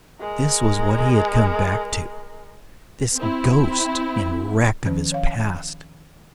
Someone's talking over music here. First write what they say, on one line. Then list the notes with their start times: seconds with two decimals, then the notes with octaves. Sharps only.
This was what he had come back to--this ghost and wreck of his past!
0.20 G#3 A#4
3.18 C4 E4
4.85 D#3 F3 C#4
5.12 C#5 F5